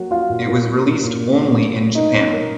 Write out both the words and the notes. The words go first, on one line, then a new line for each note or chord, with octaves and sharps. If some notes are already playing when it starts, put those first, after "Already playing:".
It was released only in Japan.
Already playing: F#3 A#3 F#4 F#5
C#4 F4 F5
A#2
A#3
F#3
C#4
A#2
A#3
F#3
C#4
A#2
A#3 D#4 D#5
F#3 C#4 C#5
C#4 A#4